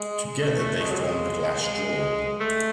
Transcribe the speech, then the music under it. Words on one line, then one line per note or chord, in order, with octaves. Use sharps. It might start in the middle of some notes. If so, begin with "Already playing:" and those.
Together they formed Glassjaw.
Already playing: G#3
A3
A3
G#3
F#3
G#3
G#3
A3